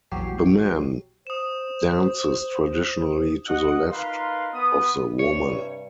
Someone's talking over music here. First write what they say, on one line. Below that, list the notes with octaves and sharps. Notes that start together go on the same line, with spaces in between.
The man dances traditionally to the left of the woman.
A#1 E2 F#3 G4 C#5 C7
C5 D#6 E7
D#5 F#5
D#4 F4 A#4 B4 F5 C6
B3 D#6
G2 C3 C#5